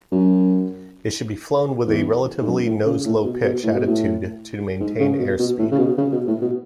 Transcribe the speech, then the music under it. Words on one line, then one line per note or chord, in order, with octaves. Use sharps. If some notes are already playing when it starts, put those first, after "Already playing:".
It should be flown with a relatively nose-low pitch attitude to maintain airspeed.
F#2
E2
G#2
F#2
A2
C#3
A2
B2
B2
A2
B2
A2
G#2
C#3
B2
B2
A2
C#3
B2
C#3
B2
A2
B2